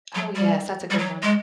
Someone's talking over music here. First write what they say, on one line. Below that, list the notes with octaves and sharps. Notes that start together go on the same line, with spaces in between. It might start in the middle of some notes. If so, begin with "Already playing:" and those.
Oh, yes, that's a good one.
F#3
G3
G3
F#3
G#3